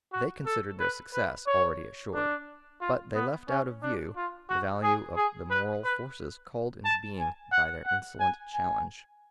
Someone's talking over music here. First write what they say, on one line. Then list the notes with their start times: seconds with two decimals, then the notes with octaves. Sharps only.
They considered their success already assured; but they left out of view the value of the moral forces called into being by their insolent challenge.
0.13 F#4
0.46 A4
0.80 B4
1.13 B4
1.47 C#5
2.14 D4
2.81 F4
3.15 B3
3.49 C#4
3.83 D4
4.16 F4
4.49 F#4
4.83 G#4
5.17 G#4
5.50 B4
5.84 B4
6.85 A5
7.19 G#5
7.52 F#5
7.86 F#5
8.20 G#5
8.53 G#5